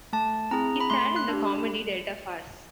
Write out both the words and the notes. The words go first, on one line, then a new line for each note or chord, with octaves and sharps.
He starred in the comedy "Delta Farce".
A3 A5
C4 E4 G#4 A#5
B5
A3 C6
F#6
D4 G4